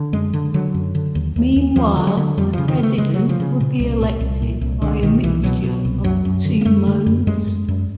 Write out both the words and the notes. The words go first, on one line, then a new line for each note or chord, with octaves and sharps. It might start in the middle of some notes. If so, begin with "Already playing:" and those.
Meanwhile, the president would be elected by a mixture of the two modes.
Already playing: D3
F#2 G#3
D3
D3 F#3
F#2
D3
D#2
D#2
D#2
D#2 F3
D3
F#3
D3
F2 G3
C#3 F3
D#3
C#3 A3
C#3 G#3
F#3
C#3
F3
C#3
A#2
C2
A#2
C2
A#2
C2
C2 D3
B2 D#3
C2 E3
B2 F#3
B2
C2
F#2 F#3
F#2
D3
A#3
F#2 A3
D3
F#2
F#2 G#3
F#2
F#2